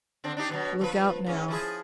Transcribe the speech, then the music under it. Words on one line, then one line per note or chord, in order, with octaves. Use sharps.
Look out now.
D3 C4 D4
D4 D#4 G4
E2 B2 F#3
F3 B4
G#2 C#4
F3 E4 G#4